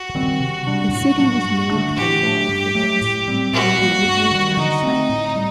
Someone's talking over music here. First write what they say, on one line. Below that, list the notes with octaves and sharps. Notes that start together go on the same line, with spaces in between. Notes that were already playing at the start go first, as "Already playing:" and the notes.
The city was named for laurel thickets near the original town site.
Already playing: F#4
D#3 G3 C4
C3
G3 D4
A2 F#4
F#3 A#3 D4
G2
D3 A3 D4
A2 G4
A3 D4
G2
F#3 A3
A2
G3 C4
A#2 F#4
G3 A#3
G2
D#3 G3
D3 D#4
A3 C4
A2
G3